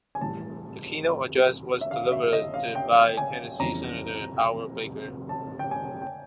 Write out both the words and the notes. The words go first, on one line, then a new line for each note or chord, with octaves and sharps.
The keynote address was delivered by Tennessee Senator Howard Baker.
G#5
A2 E3 G3 A5
E5
F5
E5
D#5
F5
G5
G#5
F2 C#3 E3 G3 B3 A#5
A5
G5
G#5
G5